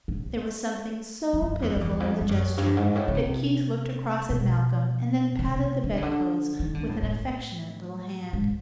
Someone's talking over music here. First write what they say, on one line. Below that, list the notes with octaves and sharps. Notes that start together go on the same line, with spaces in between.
There was something so pitiful in the gesture that Keith looked across at Malcolm and then patted the bedclothes with an affectionate little hand.
A2
G2
F#2
F2
F2
E2
F2
G2
F#2
G2
G#2
A2
C#3
C3
B2
C#3
C3
D3
C#3
D3
D#3
D3
A2
A2
G#2